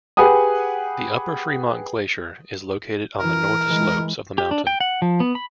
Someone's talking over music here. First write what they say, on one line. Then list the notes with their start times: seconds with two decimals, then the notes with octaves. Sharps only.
The Upper Fremont Glacier is located on the north slopes of the mountain.
0.17 G4 G#4 B4 F#5 G#5 D#6
3.19 E3 A#4
3.66 E3 G#3
4.38 G4
4.51 D4
4.67 G5
4.80 F#5
5.02 F3
5.20 B3
5.35 B5